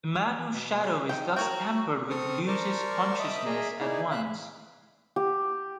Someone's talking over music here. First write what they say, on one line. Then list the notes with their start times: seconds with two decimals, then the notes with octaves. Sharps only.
The man whose shadow is thus tampered with loses consciousness at once.
0.53 B2
0.83 C#3
1.09 D#4 G5
1.36 F#4 A#4 C#5 G5
2.10 C4 A4 C#6 D#6 F6
2.47 A#4 C5 D5 A5 C#6 F6
3.20 D#5 E5 A5 B5 D6 D#6
3.45 G#4 A#4 D#5 E5
3.80 D#4 E4 G#4 D5
4.11 E5 F5 F#6
5.16 G4